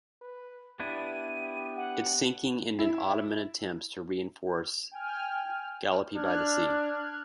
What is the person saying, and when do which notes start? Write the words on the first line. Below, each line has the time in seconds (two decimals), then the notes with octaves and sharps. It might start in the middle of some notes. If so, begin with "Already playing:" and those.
Its sinking ended Ottoman attempts to reinforce Gallipoli by sea.
0.21 B4
0.80 B3 D4 E4 G4 D#7
1.76 F#5
2.79 E4
4.92 G5 G#5 F6
6.15 D4 F6 F#6 G#6